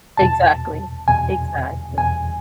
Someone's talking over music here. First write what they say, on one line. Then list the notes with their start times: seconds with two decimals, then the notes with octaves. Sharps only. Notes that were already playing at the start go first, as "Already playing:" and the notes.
Exactly. Exactly.
0.17 E2 B2 A5
1.08 E2 B2 G#5
1.98 E2 B2 G#5